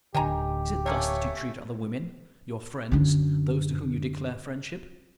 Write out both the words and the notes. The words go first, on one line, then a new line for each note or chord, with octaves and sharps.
Is it thus that you treat other women--your friends, those to whom you declare friendship?
D1 D3 D#3 G4 G#5 A#5
A3 A#3 C#4 C#5
F#2 D3